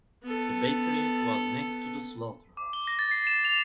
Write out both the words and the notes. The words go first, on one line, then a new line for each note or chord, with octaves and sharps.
The bakery was next to the slaughterhouse.
B3 A4
D6
G7
A#6
A6
C7
E7
F7